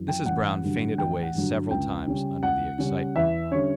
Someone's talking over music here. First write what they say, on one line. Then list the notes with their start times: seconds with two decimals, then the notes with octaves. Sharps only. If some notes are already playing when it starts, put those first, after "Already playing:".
Mrs. Brown fainted away several times under the excitement.
Already playing: F#2 E3
0.08 G5
0.26 A1 F#5
0.62 G2 D3 F#3
0.98 A1 G5
1.22 F#5
1.35 G2 D3 F#3
1.71 C#2 G5
2.07 C#3 G3 C#4
2.43 C#2 F#5
2.79 C#3 G3 C#4
3.16 E2 E5
3.51 D3 G3 C#4 C#5